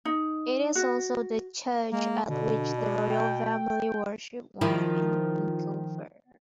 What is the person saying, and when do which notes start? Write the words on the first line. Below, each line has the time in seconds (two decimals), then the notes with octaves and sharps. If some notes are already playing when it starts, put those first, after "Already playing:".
It is also the church at which the royal family worships when in Vancouver.
0.05 D#4
0.75 F#4
1.92 G#3 A#3
2.29 B2 D3
2.78 D4
3.10 G5
4.61 D#3 F3 E4